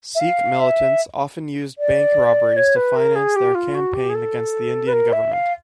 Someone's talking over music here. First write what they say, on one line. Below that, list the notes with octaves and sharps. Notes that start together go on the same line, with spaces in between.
Sikh militants often used bank robberies to finance their campaign against the Indian government.
E5
F5
E5
D5
C#5
B4
A#4
G#4
G4
F4
F#4
G4
G#4
A4
B4
A#4
E5
F5